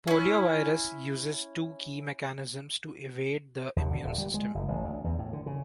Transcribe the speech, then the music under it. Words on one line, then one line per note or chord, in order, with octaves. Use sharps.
Poliovirus uses two key mechanisms to evade the immune system.
C#4 E4
D#2
D3
D#1
G3
G#3
F#1
A1
D2
E2
A2
D3
C#3